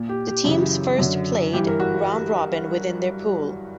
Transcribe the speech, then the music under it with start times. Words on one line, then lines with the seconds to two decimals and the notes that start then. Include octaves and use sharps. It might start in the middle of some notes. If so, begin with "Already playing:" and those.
The teams first played round-robin within their pool.
Already playing: A#2
0.09 G4
0.28 G4
0.44 F#2 C#3 E3
0.98 F#2 D3
1.53 G2 E3 G4
1.67 A#4
1.80 F#4